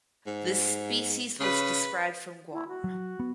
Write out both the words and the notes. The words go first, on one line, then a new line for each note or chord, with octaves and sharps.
This species was described from Guam.
G#2
C#3 B4
E4
F#4
F#3
B3